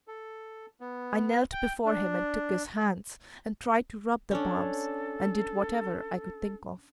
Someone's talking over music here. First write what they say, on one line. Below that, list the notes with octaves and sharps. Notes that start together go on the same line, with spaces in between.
I knelt before him and took his hands, and tried to rub the palms, and did whatever I could think of.
A4
B3
G5
D4
C#4 D4 A4